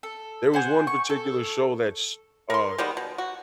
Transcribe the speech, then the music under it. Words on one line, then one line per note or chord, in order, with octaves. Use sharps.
there was one particular show that's, uh,
A4
C5 F#5 G#5
C#6
A4
A#4 C6
D#3 G3 G#3 B3
B2
F#4